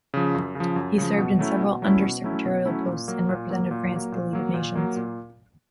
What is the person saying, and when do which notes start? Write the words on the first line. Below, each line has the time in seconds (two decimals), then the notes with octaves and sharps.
He served in several Under-Secretarial posts, and represented France at the League of Nations.
0.14 C#3 F3
0.35 F#2
0.55 C#3 F3
0.76 F#2
0.98 C#3 F3
1.18 B2
1.39 F#3 A3 C#4 E4
1.60 B2
1.82 F#3 A3 C#4 E4
2.02 B2
2.24 F#3 A3 C#4 E4
2.45 B2
2.65 F#3 A3 C#4 E4
2.86 A#2
3.08 F#3 A#3
3.29 A#2
3.50 F#3 A#3
3.71 A#2
3.92 F#3 A#3
4.12 A#2
4.33 F#3 A#3
4.54 A#2
4.75 F#3 A#3
4.96 A#2